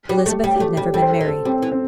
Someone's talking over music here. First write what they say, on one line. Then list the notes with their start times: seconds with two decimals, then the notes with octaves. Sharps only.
Elizabeth had never been married.
0.09 G3
0.17 G4
0.26 A3
0.44 G3
0.56 G4
0.60 A3
0.69 G4
0.77 G3
0.82 G4
0.94 G3 A4
1.02 C5
1.11 A4
1.20 E3 C5
1.28 A4
1.45 G3 C4
1.62 E3
1.72 C4